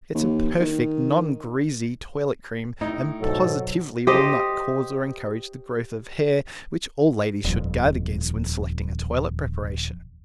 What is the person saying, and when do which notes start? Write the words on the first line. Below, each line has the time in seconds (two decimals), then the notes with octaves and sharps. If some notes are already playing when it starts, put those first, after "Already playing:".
It is a perfect non-greasy Toilet Cream and positively will not cause or encourage the growth of hair which all ladies should guard against when selecting a toilet preparation.
0.15 D#2
0.60 D#3
2.81 A2 D#4
3.20 G#2 B2 F#3 A4
4.07 G4 C5 D#5
7.44 D#1 F2